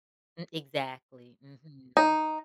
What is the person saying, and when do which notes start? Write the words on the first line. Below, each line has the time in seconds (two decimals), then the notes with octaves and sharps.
M exactly, mhm.
1.97 D#4